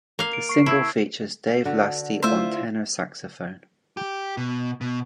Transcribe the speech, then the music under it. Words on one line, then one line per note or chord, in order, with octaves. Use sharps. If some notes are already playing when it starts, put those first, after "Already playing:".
The single features Dave Lastie on tenor saxophone.
A#3 F5
D7
C#6 C7
E4 A5 E6 G#6
D3 F#4 B4
A3 E4 F4 C5 E5 E6
G4
B2
B2